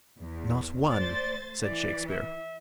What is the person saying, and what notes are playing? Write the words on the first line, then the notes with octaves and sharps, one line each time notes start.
"Not one," said Shakespeare.
E2
A3 C5 D5 A6
E3 D5
E5